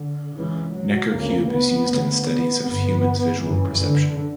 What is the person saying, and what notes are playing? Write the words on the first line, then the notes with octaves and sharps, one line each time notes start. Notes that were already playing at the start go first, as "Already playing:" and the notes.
Necker cube is used in studies of human's visual perception.
Already playing: D3
C#2 C#3 E3
F#3
D2 C#3 A#3
B3
D2 C#3 B3
B3
G1 G2 B3
G1 F#2 C#3 E3
D3